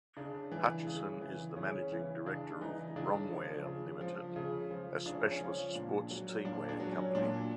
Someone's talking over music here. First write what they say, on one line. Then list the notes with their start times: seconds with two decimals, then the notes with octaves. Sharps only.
Hutchison is the Managing Director of Romwear Limited, a specialist sports teamwear company.
0.17 C#3 D4
0.52 E3
0.87 C#3
1.21 E3
1.56 C#3 C#4
1.92 E3
2.26 C#3 D4
2.61 E3 D#4
2.96 C#3 D4
3.30 F3
3.66 C#3
4.01 F3
4.36 C#3
4.71 F3
5.06 C#3 D4
5.14 C#4
5.31 C#4
5.41 F3
5.75 A#2 D4
6.11 F#3
6.45 A#2 D4
6.69 D4
6.80 F#3
6.92 C#4
7.15 A#2 D4